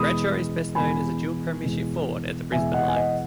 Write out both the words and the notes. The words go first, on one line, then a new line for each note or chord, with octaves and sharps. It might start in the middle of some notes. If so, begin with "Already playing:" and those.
Bradshaw is best known as a dual premiership forward at the Brisbane Lions.
Already playing: E2 B2 G#3 B5 D#6
E2 B2 G#3 G#5 B5
E2 B2 G#3
E2 B2 G#3 E5 G#5
D#5 F#5
G#5
D#5 F#5